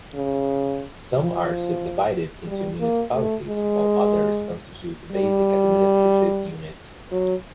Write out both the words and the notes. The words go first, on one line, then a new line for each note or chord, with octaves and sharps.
Some are subdivided into municipalities, whiles others constitute the basic administrative unit.
C#3
F3
G3
A#3
A3
G#3
G3
F#3